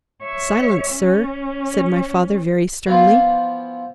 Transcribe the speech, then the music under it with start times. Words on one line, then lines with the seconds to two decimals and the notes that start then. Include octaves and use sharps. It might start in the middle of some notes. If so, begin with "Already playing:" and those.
"Silence, sir!" said my father, very sternly.
0.23 C#5 E5
0.92 C#4
2.87 E3 F3 B3 F4 C5